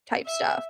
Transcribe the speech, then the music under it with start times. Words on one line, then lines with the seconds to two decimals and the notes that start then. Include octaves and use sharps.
type stuff.
0.26 E5